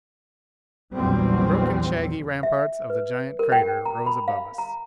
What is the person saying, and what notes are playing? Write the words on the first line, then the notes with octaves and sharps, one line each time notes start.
The broken, shaggy ramparts of the giant crater rose above us.
A#1 E2 F#3 G3 C4
E5
B4
A#4
G5
A#5
B5
F5
A#5